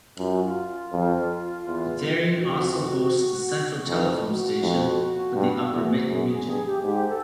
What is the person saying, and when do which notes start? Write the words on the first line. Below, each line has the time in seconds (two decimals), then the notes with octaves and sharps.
Bteghrine also hosts the central telephone station for the upper Metn region.
0.18 F#2 F4
0.30 F#4
0.42 F4
0.92 F2
1.66 E2
2.40 F2 F#4
2.48 G4
2.56 F#4
3.87 F2
4.25 F#4
4.62 F2
5.35 G2
5.72 E2
6.09 F#2 G#4
6.22 G4
6.27 G#4
6.46 G2 G#4
6.65 G4
6.83 G#2 G4
7.08 A4